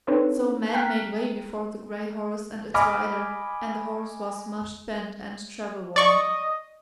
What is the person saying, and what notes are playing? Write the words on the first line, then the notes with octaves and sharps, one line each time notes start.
So men made way before the grey horse, and its rider, and the horse was much spent and travel-worn.
C4 D4 D#4 A4 B4 C#5
G5 A#5 F6 F#6 B6
D#5 G#5 B5 D6 F6
D5 D#5 C#6